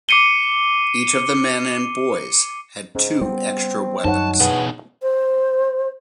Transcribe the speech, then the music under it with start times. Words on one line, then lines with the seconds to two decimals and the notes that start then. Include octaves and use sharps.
Each of the men and boys had two extra weapons.
0.09 D6 C7 C#7 D#7 G7
2.95 G#2 C#4
3.21 G3 G#3 B3 C4
4.05 F#2 F#3 G3 D#4 C#5 F#5 A5
4.40 B2 B3 G#4
5.02 C5